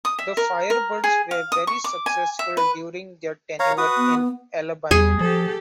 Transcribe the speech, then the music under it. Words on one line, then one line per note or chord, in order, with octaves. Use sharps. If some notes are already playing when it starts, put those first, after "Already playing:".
The Firebirds were very successful during their tenure in Albany.
D#6
E5
A#4
A#4
G#4
F5
D#6
C#6
D6
G#5
E5
B4
C#5 F5 A#5
F#4 B4 D#6
B3
E2 G3 G#4
F3 G4 A4